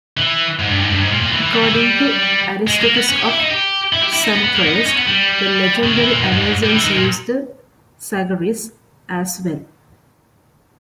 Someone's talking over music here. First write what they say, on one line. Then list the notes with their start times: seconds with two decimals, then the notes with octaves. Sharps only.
According to Aristarchus of Samothrace, the legendary Amazons used the "sagaris", as well.
0.17 E3
0.59 G#2
0.69 G2
0.80 G#2
0.90 G2
1.01 G#2
1.11 A#2
1.21 A#2
1.32 E3
1.42 E3
1.53 G3
1.63 E3
1.73 G3
2.67 G#3
2.81 A#3
2.95 B3
3.09 C#4
3.19 G4
3.29 E4
3.40 D#4
3.50 G4
3.93 E4
4.03 G4
4.13 E4
4.23 D#4
4.34 B3
4.44 B3
4.55 A#3
4.65 B3
4.75 D#4
4.86 C#4
4.96 B3
5.07 G3
5.83 C#3
5.92 D#3
6.01 E3
6.11 A#2
6.21 G#2
6.31 G#2
6.42 G#2
6.63 G3
6.73 E3
6.83 D#3
6.94 A#2